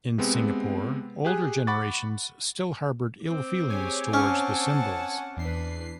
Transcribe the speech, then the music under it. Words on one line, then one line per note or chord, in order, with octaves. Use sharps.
In Singapore, older generations still harbored ill feelings toward the symbols.
C3 G#3 B3 C4
G4 G#4 F#6
F#5 B5 C#6 D6 A6
C4 D6
G4 G#4 C#5 G#5
C#4 F#5 A5
E2 D4 B4 C7